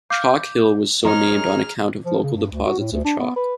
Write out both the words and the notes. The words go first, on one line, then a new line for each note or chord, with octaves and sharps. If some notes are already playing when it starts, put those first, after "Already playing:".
Chalk Hill was so named on account of local deposits of chalk.
F5 D6 F6 G6
F3 C#4 D#4 G#4 A#4 D#5 A#5 F6
F3
C#3
G2
D2
F#4
A2
D2
D4
B3
B4